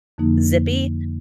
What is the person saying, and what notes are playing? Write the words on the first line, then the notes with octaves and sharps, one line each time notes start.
eh, zippy.
F2 D3 F3 A#3 D#4